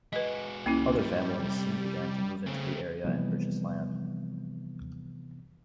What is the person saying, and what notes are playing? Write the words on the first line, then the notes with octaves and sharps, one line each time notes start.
Other families soon began to move into the area and purchase land.
G#3 F#4 B4 D#5
C#2 A#3 C#4 E4
G#2 F#3 G3
C2 C3
C#3 A3 C4
C3 E3 F3 G3 A#3 B3